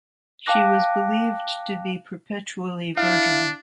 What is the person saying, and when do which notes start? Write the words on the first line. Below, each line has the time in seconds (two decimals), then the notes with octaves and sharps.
She was believed to be perpetually virginal.
0.46 F5 G5 A5 D6 F#6 A#6
2.97 D4 E4 F5